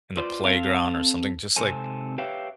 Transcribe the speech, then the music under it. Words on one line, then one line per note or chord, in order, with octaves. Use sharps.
in the playground, or something, just, like
F4 B4 C5 D5
C4 A4 F5
G#2 C3 C4 A4 C5 G#5
G4 B4 C#5 E5 F5 G5